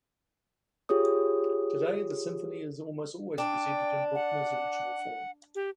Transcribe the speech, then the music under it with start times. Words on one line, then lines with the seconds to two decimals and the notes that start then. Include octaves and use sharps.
Today the symphony is almost always presented in Bruckner's original form.
0.89 F4 G4 G#4 C#5 D#6
3.38 D4 G5
4.15 F#5
5.55 G4